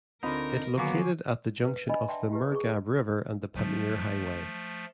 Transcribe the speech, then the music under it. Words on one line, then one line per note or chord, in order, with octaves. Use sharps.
It located at the junction of the Murghab River and the Pamir Highway.
D2 D3 C4 D#4 F4 A#4 D#5 B5
D3 D#3 F#3 A#3 B3 G#4 C#6 D6
B4
D4 D5 D#5 G#5 B5
D5 E5 G5 A5 C6
E4 G4 B4
G#4 C#6
D#3 F3 F#3 A3